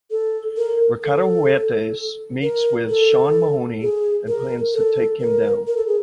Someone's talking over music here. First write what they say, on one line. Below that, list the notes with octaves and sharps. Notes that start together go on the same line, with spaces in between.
Ricardo Huertas meets with Sean Mahoney and plans to take him down.
A4
A#4
A4
A#4
A4
G#4
A#4
A4
A#4
A#4
A4
G#4